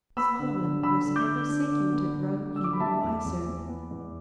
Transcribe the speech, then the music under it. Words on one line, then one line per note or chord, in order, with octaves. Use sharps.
Solomon was ever seeking to grow even wiser.
B3 B5 E6
D3
D3
D3 B5 E6
D3
D6 G6
D3
D4
D3
B3
D3
D3
D4 E6
D6
B5
E3 E5 A5
E2
E2
E3
B3
E2